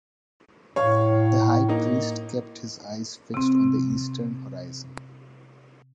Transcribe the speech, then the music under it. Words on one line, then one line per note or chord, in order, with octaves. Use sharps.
The high priest kept his eyes fixed on the eastern horizon.
A2 C#5 F5 C#6
A#3 D#4
C3 C4